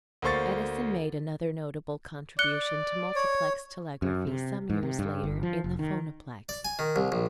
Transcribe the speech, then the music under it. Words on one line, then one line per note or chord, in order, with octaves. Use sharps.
Edison made another notable contribution to multiplex telegraphy some years later in the Phonoplex.
D2 A#3 C5 C#6 A6
D5 F#6 C#7 G7
C#5
F#2
C3
G#2
C3
G2
G1
F3
F1
D#3
D5
G#5
D#3
C2
A#1